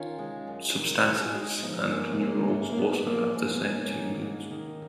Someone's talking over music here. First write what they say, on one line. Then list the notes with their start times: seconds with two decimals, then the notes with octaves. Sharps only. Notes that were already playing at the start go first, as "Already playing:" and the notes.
Substantives and numerals also have the same two moods.
Already playing: D#3 C#4 F4
0.19 G#3
0.47 F#2
0.77 D#3
1.05 G#3 D#4 F#4
1.19 F4 G#4
1.33 G#3 D#4 F#4
1.63 F3 B3 D#4
1.83 B3
1.91 F#2 A#3 C#4
2.12 D#4
2.20 G#3 A#3 C#4
2.48 F#2
2.72 A#3
2.77 F#2 B3
3.06 F3 A#3
3.36 G#2 A#3
3.50 C#4
3.54 B3
3.64 G#2
3.69 D#4
3.73 A#3 C#4
3.92 D#3
4.22 G#2
4.51 D#3